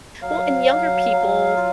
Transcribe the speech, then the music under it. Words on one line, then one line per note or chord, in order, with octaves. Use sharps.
Well, and younger people,
F#3 F5
F#3
F#3
F4